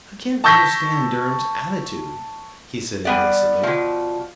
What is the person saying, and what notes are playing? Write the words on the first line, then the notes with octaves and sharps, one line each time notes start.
"I can't understand Durham's attitude," he said evasively.
A5 C#6 E6 G6 A#6 B6
G3 B3 D5
B2 F3